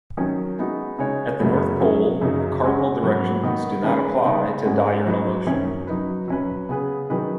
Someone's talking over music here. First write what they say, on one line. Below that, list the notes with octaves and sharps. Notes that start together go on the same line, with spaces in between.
At the North Pole, the cardinal directions do not apply to diurnal motion.
D#3 F#3 C#4
G#3 B3 D#4 F#4
C#3 G#3 D#4 G#4 C#5
F#2 C#3 F#3 B3
F#3 C#4 G#4
F#2 C#3 F#3 D#4
C#3 G#3 C#4 F#4
G#2 F#3 B3 F#4
D#3 B3 D#4 F#4
D#3 G#3 C#4 B4
C#3 B3 D#4 G#4
G#2 G#3 C#4 F#4
F#3 D#4 B4
F#2 D#3 F#3 C#4
F#3 D#4 B4
F#3 C#4 B4
C#3 B3 G#4 B4
D#3 F#3 D#4 G#4 B4